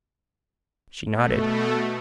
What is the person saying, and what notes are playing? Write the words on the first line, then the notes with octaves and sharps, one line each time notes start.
She nodded.
B2 A3